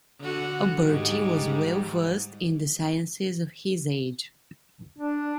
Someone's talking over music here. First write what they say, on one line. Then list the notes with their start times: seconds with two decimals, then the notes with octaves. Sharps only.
Alberti was well-versed in the sciences of his age.
0.20 D3 F#4
0.85 G#2 G3
4.99 D4